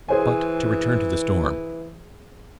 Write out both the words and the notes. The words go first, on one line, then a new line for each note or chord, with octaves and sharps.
But to return to the storm.
E3 G#4 C5 G#5